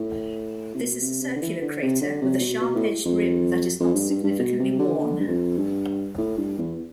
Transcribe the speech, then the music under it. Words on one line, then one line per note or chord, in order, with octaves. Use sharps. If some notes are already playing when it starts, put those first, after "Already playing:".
This is a circular crater with a sharp-edged rim that is not significantly worn.
Already playing: A2
C3
B2
C3
C3
D3
E3
D3
C3
D3
C3
B2
B2
A2
F2
F2
G2
G2
G2
B2
C3
D3
D3
G2
F2
G2
A2
G2
E2